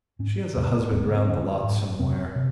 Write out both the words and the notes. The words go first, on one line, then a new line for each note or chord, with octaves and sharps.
She has a husband round the lot somewhere.
G#2 C#4
E2 C3
E2 C4
C#3
B3
C4
F2 D3 C#4
G#2
E2 C3 C4
C3